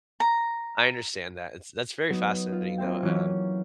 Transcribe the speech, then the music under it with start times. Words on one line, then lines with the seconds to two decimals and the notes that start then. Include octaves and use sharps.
I understand that. It's that's very fascinating, though. Uh,
0.20 A#5
2.10 F#3 B3 D#4
2.52 F4
2.78 A#3 C4 E5 G5
3.02 E3 F#3 A#3 C#4 E4